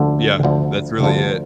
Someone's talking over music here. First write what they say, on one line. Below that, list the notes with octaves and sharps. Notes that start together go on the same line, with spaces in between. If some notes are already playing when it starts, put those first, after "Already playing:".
Yeah, that's really it.
Already playing: D2 D3 F3
D2 D3 F3
D2 D3 F3